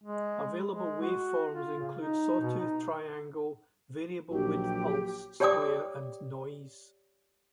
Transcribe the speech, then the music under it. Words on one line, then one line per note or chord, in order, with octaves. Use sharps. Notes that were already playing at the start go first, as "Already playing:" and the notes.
Available waveforms include sawtooth, triangle, variable width pulse, square, and noise.
G#3
G#3
F#4
F4
C#3
D#4
B2
D#4
A#1 F#3 G4
G4 C#5 D5 G5 D6 D#6